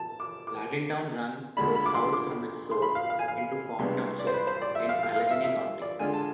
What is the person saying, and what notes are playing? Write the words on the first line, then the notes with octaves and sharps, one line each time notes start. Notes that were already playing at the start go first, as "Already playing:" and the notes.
Lardintown Run flows south from its source into Fawn Township in Allegheny County.
Already playing: A5
D6
D6
D2 D3 G#3 D4 B5
B5
D6
C6
D6
C6
B5
F5
F5
G#5
F5
C2 C3 G#3 B3 D4
D5
C5
B4
C5
D5
E5
F5
F5
F5
E5
E5
D5
D3 G#3 D4 F4 G#5
A5